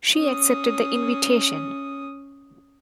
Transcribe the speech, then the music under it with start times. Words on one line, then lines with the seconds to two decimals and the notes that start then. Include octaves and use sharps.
She accepted the invitation.
0.17 C#4 D#6